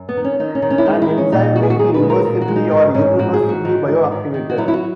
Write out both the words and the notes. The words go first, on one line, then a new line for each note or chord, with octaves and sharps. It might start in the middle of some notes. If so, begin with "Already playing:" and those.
An enzyme may be reversibly or irreversibly bioactivated.
Already playing: F#2
B3
D#3
C#4
D#3 D#4
C#4
D#3
C#4
E4
G#3 D#4
E4
G#3
C#4
A#2 D#4
G#3 F#4
G#4
F#4
A#2 G#4
B4
G#3
A#4
A#2 A#4
F#4
G#3
D#4
G#2 B3
G#2 C#4
G#2 F#4
G#4
G#2
F#4
D#3
G#2
D#3
D#3
F#4
F#3 E4
E4
F#4